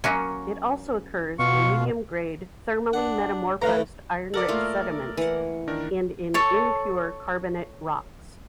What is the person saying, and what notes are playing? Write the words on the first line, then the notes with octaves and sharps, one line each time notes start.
It also occurs in medium-grade thermally metamorphosed iron-rich sediments and in impure carbonate rocks.
F#3 A#3 C#4
B2 F4 F#4 F5 C#6
D4 F#5
A2 A3 B4 F5 A#5
A4 A#4 D5 F#5
A3 A#3 F4
E3 F#5
D#3 D4 A#4
A4 C#5 A5